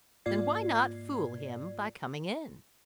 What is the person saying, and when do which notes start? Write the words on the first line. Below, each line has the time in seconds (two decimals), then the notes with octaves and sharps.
"Then why not fool him by coming in?"
0.26 G#2 A#3 F4 D5 G#6 C7